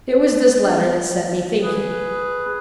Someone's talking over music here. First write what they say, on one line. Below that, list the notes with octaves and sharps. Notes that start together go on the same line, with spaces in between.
It was this letter that set me thinking.
G#4 B4